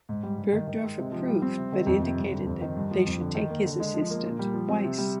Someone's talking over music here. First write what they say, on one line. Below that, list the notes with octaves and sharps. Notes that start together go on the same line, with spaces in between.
Burgdorf approved but indicated that they should take his assistant, Weiss.
G#2
G3
G2
D#3
D#3
G#3
C3
F3
G3
C4
C3
D#3
F2
C3
G2
D3
F2
D#3
G2
F3
F2
D3
D#3
A#3
D3
G#3
F3
A#3
A#2
G3
F3
C4
C3
G3